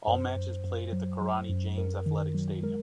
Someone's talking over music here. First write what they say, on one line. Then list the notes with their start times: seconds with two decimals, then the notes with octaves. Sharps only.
All matches played at the Kirani James Athletic Stadium.
0.07 F#2 C5
0.36 F#2
0.64 F#2
0.93 F#3
1.21 F#3
1.49 F#2
1.78 F#2 A#4
2.06 D#3
2.34 F#3
2.63 G#3 A#4